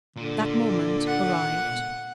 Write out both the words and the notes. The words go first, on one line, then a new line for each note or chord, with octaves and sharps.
That moment arrived.
A#2 D3
F#5